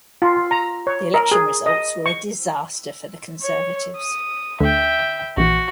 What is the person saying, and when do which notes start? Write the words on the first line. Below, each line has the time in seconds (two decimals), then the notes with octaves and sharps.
The election results were a disaster for the Conservatives.
0.22 F4
0.51 A#5
0.87 C#5
1.14 A#4
1.31 G#4
1.66 D#5
2.06 C#6
3.42 C#5
3.97 D#6
4.60 D2 D3 E5 G5
5.37 A#1 E3 F#4